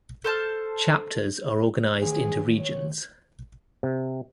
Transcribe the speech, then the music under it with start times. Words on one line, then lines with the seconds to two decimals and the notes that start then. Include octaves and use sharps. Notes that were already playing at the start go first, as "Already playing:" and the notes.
Chapters are organized into regions.
0.24 A4 C5 A5 F6
2.02 A1 D#2 G#4
2.60 C#5
3.83 C3